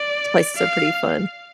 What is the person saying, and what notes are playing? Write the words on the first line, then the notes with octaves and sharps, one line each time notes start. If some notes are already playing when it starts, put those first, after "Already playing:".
places are pretty fun.
Already playing: D5
F5